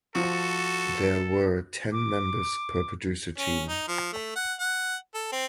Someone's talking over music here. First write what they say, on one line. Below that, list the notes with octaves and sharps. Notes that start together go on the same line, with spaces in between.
There were ten members per producer team.
F3 F#4 A4
D6
C#4
D#4
F3
A3
F#5
F#5
A4
C4